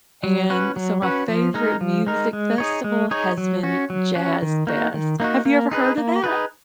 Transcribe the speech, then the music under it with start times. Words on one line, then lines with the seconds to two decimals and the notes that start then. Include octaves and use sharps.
and so my favorite music festival has been Jazz Fest. Have you ever heard of that?
0.24 F#3
0.50 C#4 F#4 B4
0.76 F#3
1.02 C#4 F#4 B4
1.28 F3
1.54 G#3 D#4 A#4
1.81 F3
2.07 G#3 D#4 A#4
2.33 G#3
2.58 D#4 G#4 C#5
2.84 G#3
3.11 D#4 G#4 C#5
3.38 F#3
3.63 C#4 F#4
3.90 F#3
4.15 C#4 F#4
4.42 D#3
4.67 A#3 D#4 F#4
4.94 D#3
5.20 A#3 D#4 F#4
5.45 A#3
5.71 D#4 G#4 B4
5.98 A#3
6.24 D#4 G#4 B4